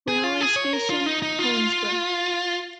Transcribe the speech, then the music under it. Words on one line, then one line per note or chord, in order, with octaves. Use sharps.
Railway station: Hoensbroek.
G#4
F4
G#4
C#5
A#4
F4
D#4
D#4
F4